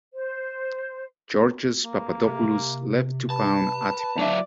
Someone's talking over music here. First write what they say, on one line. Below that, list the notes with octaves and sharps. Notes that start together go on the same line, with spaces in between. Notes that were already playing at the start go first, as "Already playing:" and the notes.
Georgios Papadopoulos left to found Atypon.
C5
A#3
C3
B4 A5
F#3 E4 D5